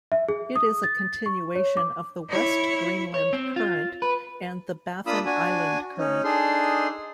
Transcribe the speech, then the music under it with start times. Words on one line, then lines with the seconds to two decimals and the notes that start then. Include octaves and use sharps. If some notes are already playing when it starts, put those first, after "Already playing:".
It is a continuation of the West Greenland Current and the Baffin Island Current.
0.12 E5
0.28 G#4
0.56 D#6
0.83 A6
1.26 C#6
1.56 C#5
1.77 D6
2.29 E4 C#5
3.14 C#5
3.33 C4
3.56 F4
4.02 B4
5.06 A#3 D4 F4 B5 D#6 E6
5.25 D4 F#4 G#5
5.98 C#4 D#4
6.24 D4 D#4 G#4 A4 C6